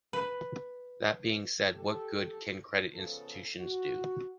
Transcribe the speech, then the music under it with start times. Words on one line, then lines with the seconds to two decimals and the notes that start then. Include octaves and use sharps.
That being said, what good can credit institutions do?
0.13 B4
1.73 G4 A4
2.94 C#3 F3 B3 A4
3.59 F#4